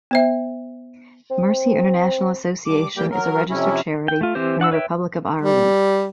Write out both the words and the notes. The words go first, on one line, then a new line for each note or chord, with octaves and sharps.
Mercy International Association is a registered charity in the Republic of Ireland.
B3 C5 E5
C4
G2 D6
D2 G3 A#3 G4 G5
F#3 A#4
F2 C3 C#4 E4
G5
A3 F4
E3 C4 G4 C5
D4 F#5 D6 E6
B4 C#5 E5 G5
G3